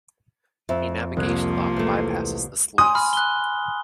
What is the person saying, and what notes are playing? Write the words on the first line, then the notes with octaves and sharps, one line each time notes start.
A navigation lock bypasses the sluice.
F2 E5
C2 F3 A#3 F#6 G#6
E2 A3
G#5 C6 D#6
B5 F6
F#6 G7